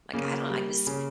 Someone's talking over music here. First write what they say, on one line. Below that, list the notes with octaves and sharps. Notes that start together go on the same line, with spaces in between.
Like, I don't, I just
C#3 A#3
G3
C#3